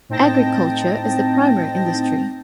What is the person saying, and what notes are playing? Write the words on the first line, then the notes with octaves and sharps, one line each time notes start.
Agriculture is the primary industry.
A2 C4 D#4 G5 A5 A#6